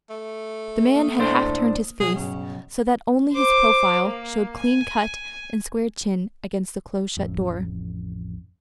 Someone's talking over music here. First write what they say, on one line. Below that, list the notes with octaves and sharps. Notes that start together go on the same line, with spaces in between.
The man had half turned his face so that only his profile showed clean-cut and square-chinned against the close-shut door.
A3
A#3 D#6
A2 D4 C5
B1 G#4
G2 C#3 F#3
C5 D6
A#3
G#5
A1 F2